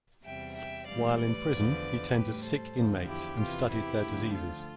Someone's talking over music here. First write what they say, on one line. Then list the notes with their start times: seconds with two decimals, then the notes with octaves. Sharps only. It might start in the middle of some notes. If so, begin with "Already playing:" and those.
While in prison, he tended sick inmates, and studied their diseases.
0.24 E2 C3 G3 E5 G5
0.56 E5 G5
0.87 A2 E3 G3 D5 F5
1.18 B4 D5
1.50 E2 D3 F3
2.13 A2 G3 G4 B4
2.44 A4 C5
2.76 E2 D3 F3
3.07 E4 G4
3.39 E2 C3 E3 F4
3.70 E4 G4
4.02 D2 D3 F3
4.33 F4 A4